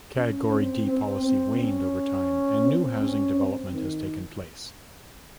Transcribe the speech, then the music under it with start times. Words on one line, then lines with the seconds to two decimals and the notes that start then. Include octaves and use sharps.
The Category D policy waned over time and new housing development has taken place.
0.16 C#4
0.52 C4
0.87 C4
1.23 C4
1.58 C#4
2.66 C4
3.01 C#4
3.36 C4
3.72 D#3